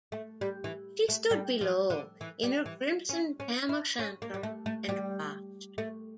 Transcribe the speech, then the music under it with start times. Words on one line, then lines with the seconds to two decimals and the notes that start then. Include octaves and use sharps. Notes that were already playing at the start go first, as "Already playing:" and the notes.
She stood below in her crimson tam-o’-shanter and watched.
0.12 A3
0.41 G3
0.64 E3
1.09 A3
1.31 G3
1.61 F3
1.90 D3
2.21 E3
2.43 G3
2.66 E3
3.09 C#4
3.40 C#4
3.69 E4
3.99 C#4
4.22 A#3
4.34 G3
4.43 A3
4.66 A3
4.89 G3
5.78 A3